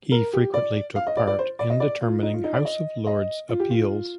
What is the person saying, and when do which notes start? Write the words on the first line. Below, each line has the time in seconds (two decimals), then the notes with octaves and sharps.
He frequently took part in determining House of Lords appeals.
0.12 A#4
0.33 G4
0.54 D5
0.96 F5
1.07 D#5
1.17 D5
1.27 D5
1.39 C5
1.59 D5
1.70 D#5
1.80 D5
2.01 F4
2.23 D#4
2.34 F4
2.44 D#4
2.54 D5
2.65 D#5
3.07 D#5
3.49 F4
3.60 G4
3.70 F4